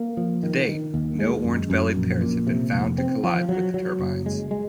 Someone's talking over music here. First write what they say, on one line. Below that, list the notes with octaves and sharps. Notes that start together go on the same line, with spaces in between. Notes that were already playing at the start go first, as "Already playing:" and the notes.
To date no orange-bellied parrots have been found to collide with the turbines.
Already playing: A#3
F3
D#3
D#3
D#2
G#3
F#2
F#2
A#1
A#2
C3
F1
C4
F3
F#3
F#3
F#1
G#3
G#3